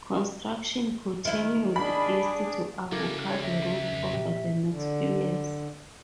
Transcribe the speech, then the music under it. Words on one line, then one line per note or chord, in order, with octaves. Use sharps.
Construction continued east to Avocado Road over the next few years.
D#3 E4
D4 G#4 B5
C#2 F#3 E4 F#4 A4 A#4 F5 D6
C#5
D2 E5
F2 D#3
A#2 F3 G4
D3